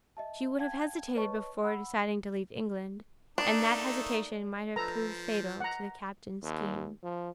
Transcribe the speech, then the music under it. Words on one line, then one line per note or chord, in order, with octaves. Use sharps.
She would have hesitated before deciding to leave England, and that hesitation might have proved fatal to the captain's scheme.
D#5 E5 A5
F5 G5 A5 G#6
B4 C#5 D#5 A5 C#6
F#5 B5 E6
A3 A#3 D4 D#4
F3 A4 B4 A#5
F#5 A#5
D#2
F3